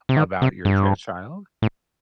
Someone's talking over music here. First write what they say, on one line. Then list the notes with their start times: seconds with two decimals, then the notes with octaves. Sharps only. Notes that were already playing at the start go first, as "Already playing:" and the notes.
about your trans child?
0.09 C3
0.17 D#3
0.42 C3
0.65 G2
1.62 A2